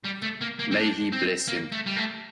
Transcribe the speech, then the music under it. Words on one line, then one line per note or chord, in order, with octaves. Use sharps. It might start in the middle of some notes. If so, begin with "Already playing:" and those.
May he bless him.
G3
A3
A#3
A#3
C4
D4
C4
A#3
A3
G3
A3